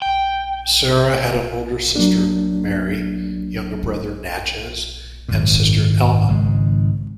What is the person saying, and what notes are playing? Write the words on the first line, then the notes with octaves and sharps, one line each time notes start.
Sarah had an older sister Mary, younger brother Natchez, and sister Elma.
G5
F#3 A#3 D4
G#1 F#2 A#2
G#1 C#3 G#3